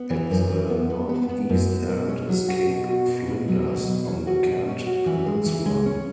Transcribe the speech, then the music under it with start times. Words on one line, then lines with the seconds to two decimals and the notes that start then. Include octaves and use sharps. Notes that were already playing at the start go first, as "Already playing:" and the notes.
At the northeast end is Cape Flinders on the Kent Peninsula.
Already playing: B3
0.10 E3
0.30 F#2
0.50 E3
0.70 B3
0.90 B3
1.09 B3
1.29 B3
1.49 F#2
1.69 B3
1.89 B2
2.09 C#4
2.29 F#3
2.48 F#4
2.68 B2
2.89 F#4
3.08 B2
3.27 B2
3.48 F#3
3.68 B2
3.88 F#3
4.08 C#4
4.27 F#4
4.46 B2
4.67 C#4
4.87 F#4
5.06 E3
5.26 G#3
5.46 E3
5.66 G#3
5.86 C#4